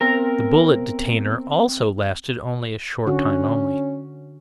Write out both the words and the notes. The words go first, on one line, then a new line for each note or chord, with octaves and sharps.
The bullet detainer also lasted only a short time only.
B3 C4 A#4
D3 C#4 F#4